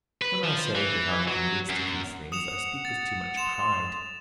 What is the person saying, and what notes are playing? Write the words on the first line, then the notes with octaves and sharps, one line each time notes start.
When I say that I am convinced of these things I speak with too much pride.
B4
F3
E3
F#3
F#2
F#5 D#6 E7 F7
A6
C6 E7 F7